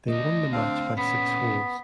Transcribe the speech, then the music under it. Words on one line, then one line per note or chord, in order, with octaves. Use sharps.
They won the match by six holes.
A3 D5 D#5
C4 D4 F5
A#2 B3 C#4 B5